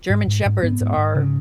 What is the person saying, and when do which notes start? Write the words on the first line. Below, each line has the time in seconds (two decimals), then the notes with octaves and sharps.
German Shepherds are,
0.10 G#2
0.27 G#2
0.45 G#2
0.63 G#2 B3
0.80 G#2
0.97 G#2
1.15 C#3